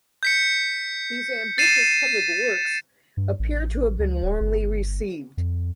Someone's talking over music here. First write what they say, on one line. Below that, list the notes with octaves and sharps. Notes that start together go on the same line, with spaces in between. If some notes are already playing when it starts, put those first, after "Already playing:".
These ambitious public works appear to have been warmly received.
G6 B6 C#7
A6 C7 D#7 E7
G2
A1
C#2
D1
G1
F2